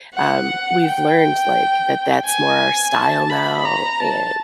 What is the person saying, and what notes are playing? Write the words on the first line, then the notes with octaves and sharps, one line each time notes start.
um, we've learned, like, that that's more our style now, and
F#5
G5
G#5
A5
B5
A#5
A5